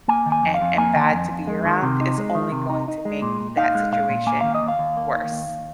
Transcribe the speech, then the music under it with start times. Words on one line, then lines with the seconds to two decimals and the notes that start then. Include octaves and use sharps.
and and bad to be around is only going to make that situation worse.
0.08 A#3 G#5
0.26 D#3
0.32 G#5
0.43 F2
0.54 F5
0.61 F2
0.78 A#3 G#5
0.96 D#3
1.13 F2
1.30 F2
1.47 G#3
1.65 D#3
1.82 C3
2.01 D#4
2.18 G#3
2.35 D#3
2.52 C3
2.70 D#4
2.88 D#4
3.05 G#3
3.22 A#2
3.41 A#2
3.57 D#4 F5
3.75 G#3
3.92 A#2 F5
4.09 A#2
4.27 A#3 G#5
4.41 D#3 F5
4.55 D#5
4.63 D#2
4.68 F5
4.79 D#2
4.97 A#3
5.14 D#3
5.32 D#2
5.49 D#2